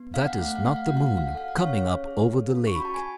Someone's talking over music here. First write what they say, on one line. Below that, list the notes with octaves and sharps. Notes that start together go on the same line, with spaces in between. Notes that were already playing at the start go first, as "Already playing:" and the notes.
That is not the moon coming up over the lake!
Already playing: B3
D4 F5
F#5
A3 F5
F#5
F5
A3 F#5
F5
F#4 F#5
F5
D4 F#5
F5
F#5
A4 F5
F#5
C#4 C#5 F5
G#4
G#4
A4
C#4
C#6
F#4 B5
A5
G#5